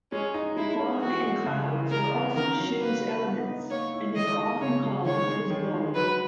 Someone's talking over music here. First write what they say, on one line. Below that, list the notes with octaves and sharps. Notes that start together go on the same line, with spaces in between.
Fog and clouds were also Shu's elements and they were often called his bones.
G#3 C#4
D#4
G#3 E4
C#4
E3 F#4
G#3
C#3
E3
G#3 A#4
B3
D#3 A#4
F#3
A#3 B4
C#4
B3
D#4
A#3 C#5
E4
D#3 D#5
G#3
C#3 C#5
G#3
D#3 C#5
G#3
D#3
G#3
F#3 B4